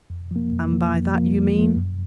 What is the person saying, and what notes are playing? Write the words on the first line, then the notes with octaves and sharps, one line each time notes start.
"And by that you mean?"
F2
F3 A#3
F2
F3 A#3
F2
F3 A#3
F2
F3 A#3
F#2